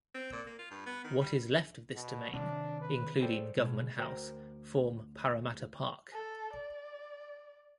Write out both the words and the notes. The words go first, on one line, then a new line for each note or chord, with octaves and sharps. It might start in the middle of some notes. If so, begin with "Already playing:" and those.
What is left of this domain, including Government House, form Parramatta Park.
C4
A#2
A#3
F4
G2
B3
D#3
G3
B2
C3 D#3 C4 D4
B4
G#4 A4 C5 D5 G5
B2 G#3
D2 F#4 A#4 C5 G5
A4
D5